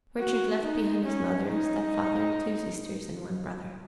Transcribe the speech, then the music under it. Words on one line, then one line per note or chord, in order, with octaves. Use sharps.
Richard left behind his mother, step-father, two sisters, and one brother.
F#4
D#4
C#4
D#4